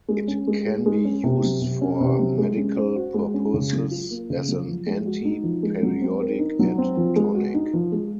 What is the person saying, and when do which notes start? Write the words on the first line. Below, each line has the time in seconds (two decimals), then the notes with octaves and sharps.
It can be used for medical purposes as an anti-periodic and tonic.
0.09 G#3
0.28 C#4
0.47 G#3
0.67 G#4
0.86 G#3
1.05 C#4
1.23 C3
1.43 F#3
1.62 C3
1.81 C#4
2.01 C3
2.19 F#3
2.38 G#3
2.57 C#4
2.77 C5
2.96 F#4
3.14 G#3
3.34 C#4
3.54 C#3
3.73 F#3
3.91 F4
4.11 A#3
4.30 C#3
4.48 F#3
4.68 F3
4.87 G#3
5.06 F#4
5.25 D#4
5.43 F3
5.63 G#3
5.83 F#3
6.01 C4
6.21 A#4
6.39 D#4
6.59 F#3
6.78 C4
6.97 F3
7.16 G#3
7.35 F#4
7.54 D#4
7.74 F3
7.92 G#3